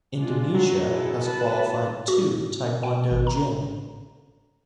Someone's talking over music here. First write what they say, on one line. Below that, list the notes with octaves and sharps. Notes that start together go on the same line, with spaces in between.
Indonesia has qualified two taekwondo jin.
G#3 D4 F4
F#3 A3
E4 G#4 A4
B3 B4 A5
F#4
G5
G#1
A#5